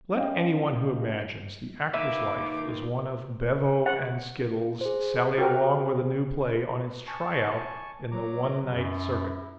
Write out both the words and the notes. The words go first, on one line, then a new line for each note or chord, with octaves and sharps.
Let any one who imagines the actor's life is one of bevo and skittles sally along with a new play on its try-out in the one-night circuit.
C#4 D#5 F5 G5
D#3 A#3 B4 E5 D6
F#5
G#4 C5
F#4 G4 A#4
G#5 A5 C#6
F#3 A#5 D6
F#2 E4